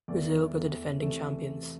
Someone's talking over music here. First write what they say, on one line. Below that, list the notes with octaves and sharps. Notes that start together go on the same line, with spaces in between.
Brazil were the defending champions.
E2 E3 A3 D5
E2 E3 A3
C3 E3 A3